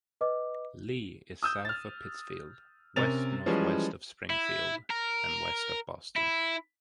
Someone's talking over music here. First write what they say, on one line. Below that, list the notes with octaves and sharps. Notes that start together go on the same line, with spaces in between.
Lee is south of Pittsfield, west-northwest of Springfield, and west of Boston.
B4 D#5 D6
D#6 E6 G6
F6 A6
C3 C#4 A#4 A6 F7
E3 F3 G3 G#3 C#4
E4
A#4
E4